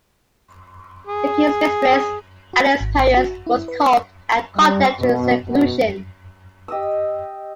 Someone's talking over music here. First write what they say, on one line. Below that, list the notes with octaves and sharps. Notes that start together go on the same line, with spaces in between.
The king's mistress, Alice Perrers, was called and condemned to seclusion.
G#4
F#4
G#1
F#4
E4
B4
C#6
G3
B2
B2
G4 D#5 D#6 E6